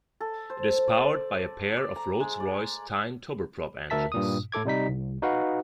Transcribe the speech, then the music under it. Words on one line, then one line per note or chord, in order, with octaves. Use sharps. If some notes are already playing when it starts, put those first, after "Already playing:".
It is powered by a pair of Rolls-Royce Tyne turboprop engines.
A4
C5
D5
D5
A#5
G#3
D5
D2 A#4 E5 A5 B6
G2 A#2 D#6
A2 E4 A4 D6 G#6
C3 G3 D#4 B6
C2
D#4 F#4 B4 F5 F#5